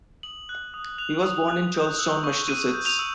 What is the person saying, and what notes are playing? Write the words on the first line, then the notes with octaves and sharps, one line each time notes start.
He was born in Charlestown, Massachusetts.
D#6 F#7
F#6
D#6
F#6 F7
D#6
F#6
G6
E6
C#6
C#6 D#7
G6
F7
E6